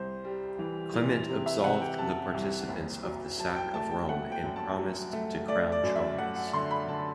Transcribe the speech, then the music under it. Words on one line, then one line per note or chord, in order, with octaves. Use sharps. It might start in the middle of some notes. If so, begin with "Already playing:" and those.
Clement absolved the participants of the sack of Rome and promised to crown Charles.
Already playing: C2 C5
G3
E3
E3
C3
E5
C3 F#5
G5
C3 A5
C2
F#1
F#3
F#3 A5
G5
A3 A5
G5
A3 F#5
G5
F#2
A5
F#3
A3
A3 D5
D5
F#2
E5
A3 F#5
F#5
D3 C6
B5
D3 A5